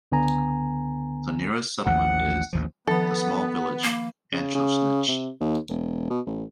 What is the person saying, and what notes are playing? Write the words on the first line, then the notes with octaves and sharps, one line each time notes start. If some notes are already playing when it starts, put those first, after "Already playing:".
The nearest settlement is the small village, Achosnich.
C#2 D3 B3 G#5 A#5
A1 D#2 F3 F#5
A1 D#2 F3
D#3 F3 B3 A4 B5
A#3
C#3
C#3
C3
D#2
E1
B2
A1